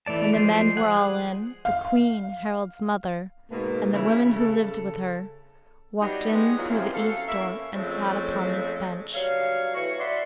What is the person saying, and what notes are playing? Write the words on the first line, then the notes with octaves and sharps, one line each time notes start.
When the men were all in, the queen, Harald's mother, and the women who lived with her, walked in through the east door and sat upon this bench.
E3 A3 D5 A5
F3 G#3 C5
G#4 F#5
F5
G#2 B2 A#3
C#3 E3 E4
A4
F#3 G3 B3 D4 D#4 G4
G#3 B3
E3 F#3 G#3 A#3 B3 F4
F#2 C3 E3 C5 E5 F5
F#2 A4 F5
A#3 C#4 E4 E5
F2 C#3 F3 G#3 A3 C4
G2 F#3 C#5 F5
A2 E3 F#4 C#6
D5 E5 F#5 B5 C6